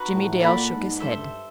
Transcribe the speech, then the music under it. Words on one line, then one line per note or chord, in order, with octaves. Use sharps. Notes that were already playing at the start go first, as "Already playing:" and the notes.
Jimmie Dale shook his head.
Already playing: D#4 F#4 B4
A2
A#2 A4 D5 F#5 B5
G#2
G2 A4 C5 E5